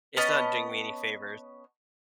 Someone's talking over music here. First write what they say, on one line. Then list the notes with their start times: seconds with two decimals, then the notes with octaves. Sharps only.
it's not doing me any favors
0.17 B3 C#4 D#5 A5